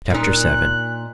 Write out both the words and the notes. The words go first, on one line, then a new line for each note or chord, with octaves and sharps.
Chapter VII.
A#2 D#4 F#6